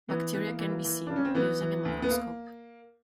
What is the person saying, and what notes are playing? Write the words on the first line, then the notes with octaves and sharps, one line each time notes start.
Bacteria can be seen using a microscope.
E3 B3
E3 B3
A#3
E3
A#3
E3
C#3 D4
C#4
C4
E3 B3
E3
D2
B3
A#3